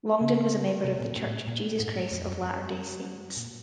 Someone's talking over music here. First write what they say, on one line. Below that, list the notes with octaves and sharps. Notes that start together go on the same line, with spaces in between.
Longden was a member of The Church of Jesus Christ of Latter-day Saints.
C#3
C3
A#2
A2
A#2
G#2
F2
F#2
A#2